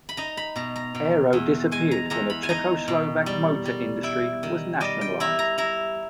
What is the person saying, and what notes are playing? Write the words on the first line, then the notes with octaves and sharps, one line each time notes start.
Aero disappeared when the Czechoslovak motor industry was nationalised.
B5
D#4 A#5
B5
B2 A#5
A#5
B2
E2
G#3 G#5
A#5
E2 A#5
B5
G#5
D#4 A#5
B2
G3
G3
E4 G5
D#3
G3 D#5
G5
E4 A#5
A#5
E4 A#5